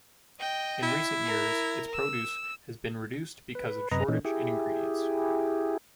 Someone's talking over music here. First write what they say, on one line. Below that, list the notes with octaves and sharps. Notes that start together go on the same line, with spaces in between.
In recent years its produce has been reduced because of shortage in ingredients.
D#5 G5
E4
A#4
E6
B4
F#2 C3 B4 D#5 A#5
A#2 E3 C#4 D#4
E4 G4 G#4